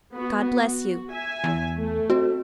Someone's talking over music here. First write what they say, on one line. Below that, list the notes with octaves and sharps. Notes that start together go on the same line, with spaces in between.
God bless you.
B3 F#4
F#4
E5 G#5
E2
A3
C4 F#4